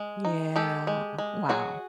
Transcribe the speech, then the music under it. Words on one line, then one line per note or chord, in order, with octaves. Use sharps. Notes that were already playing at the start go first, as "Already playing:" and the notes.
Yeah, wow.
Already playing: G#3
D#4
G#3 G4 A4
G#3
G#3
F#3 F#4 G#4